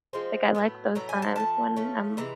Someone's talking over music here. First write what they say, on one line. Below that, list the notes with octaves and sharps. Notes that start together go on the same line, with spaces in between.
Like, I like those times when I'm
F3 G#3 C4
A2 F#3 B3
A2 F#3 B3 A#5
G#5
A5
F3 A3 C#4 A5
F3 A3 C#4
C3 E3 G#3 A#5